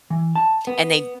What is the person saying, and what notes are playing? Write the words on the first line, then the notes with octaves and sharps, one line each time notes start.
and they
E3
A5
B3